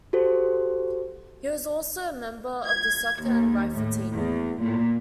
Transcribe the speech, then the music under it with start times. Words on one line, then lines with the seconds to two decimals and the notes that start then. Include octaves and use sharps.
He was also a member of the soccer and rifle teams.
0.13 F#4 G4 A4 C5
2.64 G#6
3.23 D#2
3.73 A2
4.14 E2
4.60 A#2